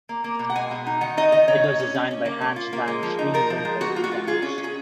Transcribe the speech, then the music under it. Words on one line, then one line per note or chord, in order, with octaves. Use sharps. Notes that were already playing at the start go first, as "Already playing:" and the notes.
It was designed by Hans van Steenwinckel the Youngest.
A#3
A#3
B2
F#5
G#3 G#5
B2
D#4
D#3 F#5
D#4 D#5
D#3 D#5
C#3 C#5
C#4
C#4
C#4
C#4
A#3
C#4
F4
A#3
G#3
F3
D#4
F3 A#4
F3
G#3
B3 F#4
F4
F#4
F4
F4 G#4
C#4
C#4
G#4